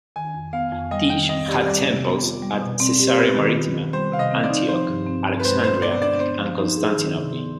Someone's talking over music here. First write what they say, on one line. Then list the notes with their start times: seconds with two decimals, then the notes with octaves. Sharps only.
Tyche had temples at Caesarea Maritima, Antioch, Alexandria and Constantinople.
0.16 D#3 G#5
0.35 F2
0.53 B3 F5
0.73 F2
0.91 G3 D#5
1.10 D#3 G5
1.29 C4 D#5
1.48 G4 D5
1.67 G3 D5
1.85 C3
2.05 B3
2.23 F4
2.42 G3
2.62 B2
2.80 C4
2.99 G4
3.08 C5
3.18 B3 B4
3.37 D#3
3.56 F4
3.74 D#3
3.93 G3 C5
4.12 C3 F5
4.19 D#5
4.31 C4
4.44 D5
4.50 D#4
4.68 F3 C5
4.88 G2
5.07 C4
5.26 G2
5.40 B4
5.45 G#3 C5
5.64 B2 C5
5.82 B3 D5
6.01 D4 D5
6.20 B3 C5
6.38 F3
6.58 D#4
6.77 G#4
6.95 D#3
7.15 C3
7.33 B3